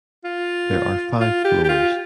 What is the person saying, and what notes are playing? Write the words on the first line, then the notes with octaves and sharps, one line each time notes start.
There are five floors.
F4
F4
G4
G4
F4